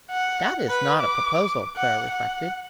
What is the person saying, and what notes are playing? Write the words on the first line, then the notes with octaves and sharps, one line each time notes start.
"That is not a proposal," Clara reflected.
F#5
B4
D6
F#5
F#5